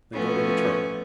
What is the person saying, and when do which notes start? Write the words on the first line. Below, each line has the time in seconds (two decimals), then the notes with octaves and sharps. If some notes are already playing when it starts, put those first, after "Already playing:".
Then go to the turret.
0.13 F3 A3 B3 C#4